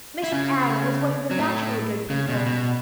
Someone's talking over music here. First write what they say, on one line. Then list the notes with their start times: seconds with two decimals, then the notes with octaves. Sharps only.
Mrs. Allan is one of the naturally good people.
0.23 E4
0.32 C#3 C#4
1.31 F#3
1.39 A2 A3
2.10 C#3
2.28 B2
2.46 B2